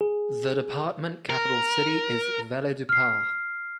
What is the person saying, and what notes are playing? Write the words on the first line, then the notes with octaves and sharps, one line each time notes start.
The department capital city is Valledupar.
G#4
A#4
F6 C7